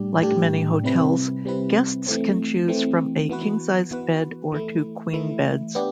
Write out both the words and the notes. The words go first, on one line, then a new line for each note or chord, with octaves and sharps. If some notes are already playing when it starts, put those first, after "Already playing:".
Like many hotels, guests can choose from a king-sized bed or two queen beds.
Already playing: A2 G3 D4 G4
A2 G3 D4 G4
C3 G3 C4 E4 B4
C3 G3 C4 E4 B4
E3 A3 C4
E3 A3 C4
E3 B3 F#4 B4
E3 B3 F#4 B4
E3 A3 E4
E3 A3 E4
B3 D4 G4